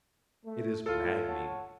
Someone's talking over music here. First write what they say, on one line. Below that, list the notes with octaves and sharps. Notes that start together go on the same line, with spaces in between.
It is maddening.
A3
A2 F4 A4
C#5 F#5 A5